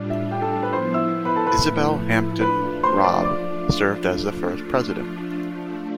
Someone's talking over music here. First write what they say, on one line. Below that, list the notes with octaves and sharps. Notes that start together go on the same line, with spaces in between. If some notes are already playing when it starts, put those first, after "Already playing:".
Isabel Hampton Robb served as the first president.
Already playing: A2 G3 D4 F4 D5
E5
G4 G5
A4 A5
A4 A5
B4 B5
F3 B3 E4 C5 C6
E5 E6
B4 B5
A4 A5
B4 B5
A2 F3 A3 E4
F3 A3 D4 F4 B4 B5
C5 C6
D5 D6
D5 D6